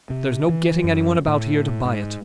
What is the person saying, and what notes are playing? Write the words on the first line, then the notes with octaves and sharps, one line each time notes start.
There's no getting any one about here to buy it.
C3
E3
F#2
A2
G#2